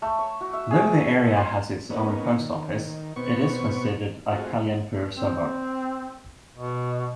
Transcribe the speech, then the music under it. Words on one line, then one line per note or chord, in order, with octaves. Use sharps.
Though the area has its own post office, it is considered a Kalyanpur suburb.
A3
C#5
F#4
E5
G#4
C6
A#3 B3 C#4 D#4
D#3
B2 B3 C4 C#6
A3 C4 F4 F#4 G#4
C4
B2